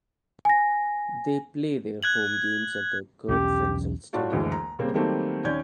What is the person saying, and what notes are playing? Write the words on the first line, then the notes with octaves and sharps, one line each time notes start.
They play their home games at the Curt Frenzel Stadion.
G#5 A#6
F#6 G#6 F#7
B1 E2 C#4 G4
A2 D4 F4 F#4
F#1 D2 E3 G#3
A#5
C#3 G3 A#3 C4
D#3 F#3 G3 A3 A#3 C4
D#2 C#4 D5 G6 G#6